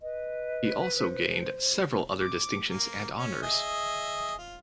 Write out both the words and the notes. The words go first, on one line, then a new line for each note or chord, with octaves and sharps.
He also gained several other distinctions and honours.
B4 D#5
C5
D6
A#3
C#4
G#4 D#5 E5
F4